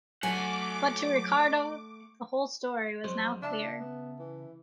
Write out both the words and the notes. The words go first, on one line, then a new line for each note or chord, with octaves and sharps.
But to Ricardo the whole story was now clear.
F#3 A3 F#5 G#5 D6
F2 F#3 G#3 C5
C#3 D4 E5 A5
B3
E3